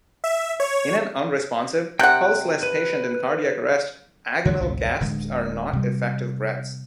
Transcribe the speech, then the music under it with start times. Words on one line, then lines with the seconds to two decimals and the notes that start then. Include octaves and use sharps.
In an unresponsive, pulseless patient in cardiac arrest, agonal gasps are not effective breaths.
0.24 E5
0.60 C#5
1.99 C3 F#5 G5 F#6
2.63 B4
4.45 D3 D#3 F3 A3
4.60 G#1 C#2 G2 B2
5.01 D1 D2 D3 G#3
5.73 C3 G3